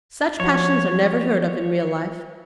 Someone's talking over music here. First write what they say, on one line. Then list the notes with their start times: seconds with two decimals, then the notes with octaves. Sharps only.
Such passions are never heard of in real life.
0.40 F3 F#4 C#5